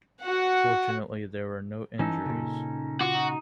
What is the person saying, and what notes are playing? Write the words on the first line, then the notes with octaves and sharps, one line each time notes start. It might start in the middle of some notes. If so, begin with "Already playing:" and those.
Fortunately, there were no injuries.
F#4 F#5
E3 C#4 D#4 A4
A#2 C#3
F4 F#4 D6
D#4